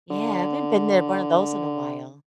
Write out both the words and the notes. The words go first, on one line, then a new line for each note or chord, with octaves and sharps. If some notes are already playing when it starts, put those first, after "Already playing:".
Yeah, I haven't been there in one of those in a while.
D3